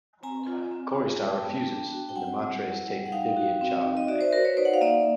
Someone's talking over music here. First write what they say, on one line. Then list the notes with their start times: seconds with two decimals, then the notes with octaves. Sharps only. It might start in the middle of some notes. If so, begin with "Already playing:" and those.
Corysta refuses, and the Matres take the Phibian child away.
0.23 C4 G#5 A#5
0.47 F4
0.71 C4
0.95 F4
1.19 G#3 G5 A5
1.44 B3
1.67 D4
1.92 F#4
2.09 G5
2.16 C4 F#5 G#5
2.40 G3
2.65 E4
2.88 G3
3.06 F#5
3.12 D#4 F5 G5
3.37 F#4
3.61 C4
3.85 D#4
3.97 D#5
4.08 F#4 D5 E5
4.21 C5 D5
4.33 F#4 A#4 C5
4.45 B4 C#5
4.57 D#4 C5 D5
4.65 F#5
4.74 F5
4.81 A#3 D5 E5